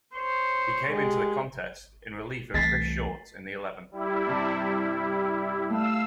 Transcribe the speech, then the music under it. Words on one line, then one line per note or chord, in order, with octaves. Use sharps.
He came into the contest in relief of Chris Short in the eleventh.
C5 C#5
G#3 G4
C2 E3 A3 A6 B6 C7
G3 E4
G2 C3
A3 F5 E6